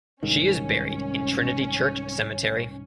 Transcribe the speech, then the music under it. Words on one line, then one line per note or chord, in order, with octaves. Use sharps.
She is buried in Trinity Church Cemetery.
C2 G#2 D#3 C#4